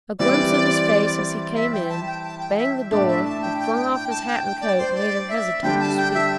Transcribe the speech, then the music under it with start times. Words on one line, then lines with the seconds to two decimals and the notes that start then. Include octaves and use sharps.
A glimpse of his face as he came in, banged the door, and flung off his hat and coat made her hesitate to speak.
0.19 E3 G3 C4 E4 D5
1.55 E5
1.73 G5
1.89 A5
2.07 G5
2.23 A5
2.40 G5
2.57 E5
2.91 A2 A3 D4 D5
3.08 E5
3.25 A5
3.42 G5
3.59 G5
3.76 G5
3.93 G5
4.10 A5
4.27 G5
4.44 G5
4.61 D5
4.78 C5
4.95 D5
5.29 E5
5.63 D3 G3 D4 G5
5.80 A5
5.97 G5
6.14 E5